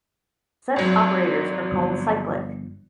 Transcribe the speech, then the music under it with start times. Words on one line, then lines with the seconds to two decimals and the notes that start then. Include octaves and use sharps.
Such operators are called cyclic.
0.76 G#1 F#3
1.72 G1 F3